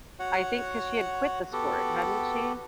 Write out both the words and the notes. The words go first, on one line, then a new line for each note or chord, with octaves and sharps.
I think 'cause she had quit the sport, hadn't she?
F#4 C#5 F#5
B3 F#4 G4 A4